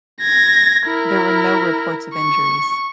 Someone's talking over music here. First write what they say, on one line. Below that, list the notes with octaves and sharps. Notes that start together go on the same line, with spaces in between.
There were no reports of injuries.
G#6 A#6
E4 A#4
C#6